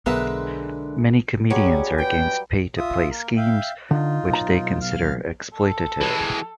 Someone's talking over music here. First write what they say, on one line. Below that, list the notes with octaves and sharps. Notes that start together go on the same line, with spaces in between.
Many comedians are against pay-to-play schemes, which they consider exploitative.
B1 D3 G#3 B3 A#4 B4 E5 F#5
F#3 G3 C#4 G#4 D5
B4 G5
F4 E5 D#6
A#3 A#4
E5 F5 G5
D3 D#4 F4
B1 A#5
F5 F6
A4
E3 G#3